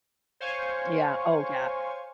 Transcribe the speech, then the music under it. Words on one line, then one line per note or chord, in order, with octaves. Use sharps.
Yeah oh, yeah.
C5 C#5 F5 G#5 C#6